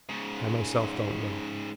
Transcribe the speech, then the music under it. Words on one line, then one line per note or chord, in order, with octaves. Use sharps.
I myself don't know.
G#2 C#3